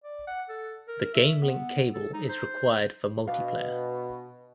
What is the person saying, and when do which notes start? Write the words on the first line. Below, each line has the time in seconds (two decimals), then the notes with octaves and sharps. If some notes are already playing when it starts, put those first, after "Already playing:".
The Game Link Cable is required for multiplayer.
0.04 D5
0.27 F#5
0.49 A4
0.88 A#4
1.14 E5
1.42 B3
1.94 A4
2.14 D#4
2.29 C5
3.27 B2 D4 F5